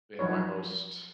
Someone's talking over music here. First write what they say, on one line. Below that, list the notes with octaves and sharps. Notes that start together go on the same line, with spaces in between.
in my most
F3 F#3 D#4 B4 C#5